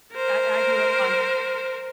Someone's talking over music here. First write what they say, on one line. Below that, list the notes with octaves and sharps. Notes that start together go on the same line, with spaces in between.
I I grew up on
A#4 C5